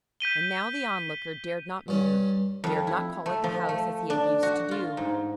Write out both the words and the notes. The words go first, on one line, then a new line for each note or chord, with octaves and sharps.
And now the Onlooker dared not meet her--dared not call at the house as he had used to do.
G6 B6 D#7 G7
G2 C#4
F2
E4
A3
F3
A3
D4
F#4
F4
G#2